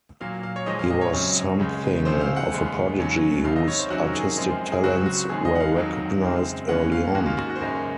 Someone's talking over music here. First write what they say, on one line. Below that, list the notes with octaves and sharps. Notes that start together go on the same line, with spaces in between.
He was something of a prodigy whose artistic talents were recognised early on.
A#2 F#3 A#3 F5
F5
C#5
A#2 F3 G#3 D#5
F5
D#5
C#5
F#2 C#3 F#3 C4
C#2 C#3 G#3
C3 F3 G#3 C#4 C5
F5
F#5
D#2 C#3 G#3 C#4
D#2 D#3 F#3 C#4
C2 C3 D#3 F5
D#5
C#5
C5
C3 D#3 F#3 C#4 F#4
A#4
G#4
G#4
F#2 F3 G#3 C4
G#4
C#2 C#3 F#3 C4 F#4
F#4
D#2 D#3 G#3 C4 G#4
D#5
F#5
F5
F2 D#3 F#3
F#2 C#3 G#3 C4
D#2 D#3 A#3 C#4 F#5
F5
G#2 D#3 A#3 C#4 F#4
F4
F#4
F#4
C5
F#2 C#3 G#3 C#4 A#4